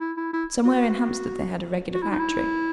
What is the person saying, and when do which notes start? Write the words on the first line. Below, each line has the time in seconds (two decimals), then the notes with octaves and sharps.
Somewhere in Hampstead they had a regular factory.
0.01 E4
0.17 E4
0.33 E4
0.65 F#4
1.94 F#4
2.02 E4
2.11 D#4
2.19 E4